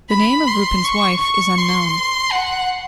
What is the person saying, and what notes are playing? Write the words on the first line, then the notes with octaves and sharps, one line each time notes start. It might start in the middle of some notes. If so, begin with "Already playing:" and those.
The name of Roupen's wife is unknown.
B5
C6
C#6
C#6
C6
F#5